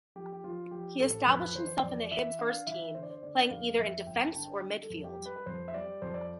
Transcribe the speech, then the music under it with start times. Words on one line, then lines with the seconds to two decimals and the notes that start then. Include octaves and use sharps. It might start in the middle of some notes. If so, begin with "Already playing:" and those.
He established himself in the Hibs first team, playing either in defence or midfield.
0.16 F3 G4
0.32 G4
0.44 F3 F4
0.71 F3 G4
1.00 A1 A4
1.27 F2 B4
1.55 E3 C5
1.83 F2 D5
2.11 E3 E5
2.39 D4 F5
2.67 E3 E5
2.95 D3 C5
3.03 D5
3.10 C5
3.23 D3 D5
3.50 F2 F5
3.79 F2 E5
4.07 G1 G5
4.24 A5
4.34 D3 G5
4.62 G3
4.83 A4
4.90 F2
5.04 G4
5.18 G3
5.26 B4
5.36 B4
5.46 F2 C5
5.68 E5
5.74 G3 D5
6.02 F2 C5
6.14 D5